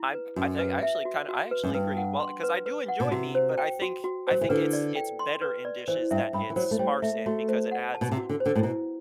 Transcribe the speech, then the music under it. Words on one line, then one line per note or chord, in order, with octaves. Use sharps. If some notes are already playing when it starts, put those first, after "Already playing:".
I I think I actually kinda I actually agree, well, 'cause I do enjoy meat, but I think I think it's it's better in dishes that it's sparse in because it adds
Already playing: E4
B4
F#2 F#4
B4
E5
F#4
F#4
B4
F#2
G2 B4
F#5
C6
B4
B4
F#5
B2
C3 F#4
C5
G5
F#4
F#4
F#3 C5
E3
D3 B4
D5
G5
C6
B4
D5
E3 C5
G2 E5
G2 B5
E3
F#3 C5
A3
G3 C5
A3 E5
A3 F#4
C5
F#5
A5
B2
C3
F#4
D3
C5
D3
A2
B2 E4